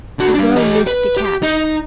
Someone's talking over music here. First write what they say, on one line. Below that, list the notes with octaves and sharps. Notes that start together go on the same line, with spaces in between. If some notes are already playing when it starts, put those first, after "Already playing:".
The girl missed the catch.
D3 F#4
G3 D4
G4 D#5
B4
G4
D#4